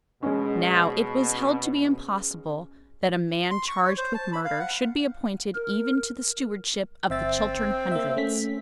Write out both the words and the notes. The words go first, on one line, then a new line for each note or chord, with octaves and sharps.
Now it was held to be impossible that a man charged with murder should be appointed even to the stewardship of the Chiltern Hundreds.
B2 G#3 C#4
C6
C#6
C#5
C5
A5
B5
F5
F#5
A#4
G1 C4 E5 A6
A#3 E5
A3 C#4 B6